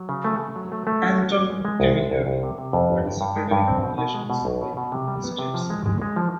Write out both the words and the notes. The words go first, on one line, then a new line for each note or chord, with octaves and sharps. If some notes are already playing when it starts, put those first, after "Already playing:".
Antoine Camilleri, under-secretary for Relations with States.
Already playing: F#3
C#3
A3
A3
F#3
A3
A3
C#4
F#4
C#4
G#3
G#3
C2
C2
C2
C2
C3
C3
F2
G1
G2
G2
G#3
G2
C4
B2
B2
G#3
B2
B1
B2
B2
C3
G3
B3
C3
F3
G#3
G#3
G#3
F3